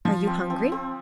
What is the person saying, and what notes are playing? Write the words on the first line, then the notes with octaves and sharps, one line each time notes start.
"Are you hungry?"
F3 F4
C4
C4
C4